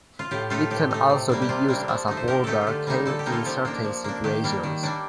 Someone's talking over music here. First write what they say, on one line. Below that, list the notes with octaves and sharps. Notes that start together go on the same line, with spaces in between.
It can also be used as a border came in certain situations.
F4
A2 G4
A3 D#4 F4 A4
A2 G4
A3 D#4
C3
G3 A#3 D4
G4
C3 F4
G3 A#3 D4
F3
A3 D#4
C5
F3 G4 A#4
A3 D#4 G4 A4
F4
D3 G4
G3 A#3 D#4
D3 A4
G4
G3 A#3 D#4
F4 A4
F3 G4
A#3 D4
F3
A#3 D4
D#3 G4
G3 A#3 D4
D#3
G3 A#3 D4